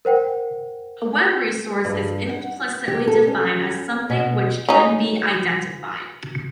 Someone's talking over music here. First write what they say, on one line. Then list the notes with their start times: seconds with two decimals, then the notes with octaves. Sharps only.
A web resource is implicitly defined as something which can be identified.
0.05 A#4 C5 F#5 G5
1.85 G2
2.29 F#5
2.88 G4
3.07 A4
3.27 C#4
4.10 B2
4.69 C#4 D#4